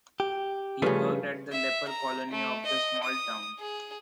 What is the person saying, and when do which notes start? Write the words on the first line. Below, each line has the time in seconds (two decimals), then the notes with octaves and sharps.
He worked at the leper colony of the small town.
0.20 G4
0.82 G2 C#3 F3 A3 C#4
1.52 E5
1.88 A#5
2.31 A3
2.66 D#5
3.04 D#6
3.59 G#4